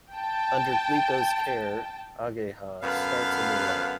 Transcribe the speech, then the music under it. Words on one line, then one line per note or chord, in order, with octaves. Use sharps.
Under Glico's care, Ageha starts a new life.
G5 A5
F#2 D3 B3 B4 F5